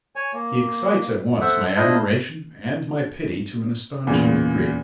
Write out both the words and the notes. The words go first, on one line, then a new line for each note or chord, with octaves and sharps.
He excites at once my admiration and my pity to an astonishing degree.
C#5 G#5
A#3
A4 C5 E5 F#5
D4 E4 F4 C5 D#5
E2 A#2 C#3